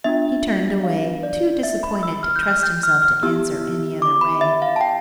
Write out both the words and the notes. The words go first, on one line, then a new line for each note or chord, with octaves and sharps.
He turned away, too disappointed to trust himself to answer any other way.
B3 D4 F4 E5
F5
D5
E5
B5
E6
F6
G6
F6
G6
F6
F6
B3 E4 G4 E6
D6
B5
E5
F5
A5
G5